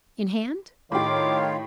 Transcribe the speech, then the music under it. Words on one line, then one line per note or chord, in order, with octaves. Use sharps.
"In hand?"
A2 D#3 F4 G4 C#5 F5 D6